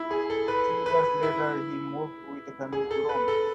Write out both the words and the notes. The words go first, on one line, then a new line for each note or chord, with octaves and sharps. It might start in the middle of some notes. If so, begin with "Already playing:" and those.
Three years later, he moved with his family to Rome.
Already playing: E4
G#4
A4
B4
B4
E4
G#4
A4
B4
A4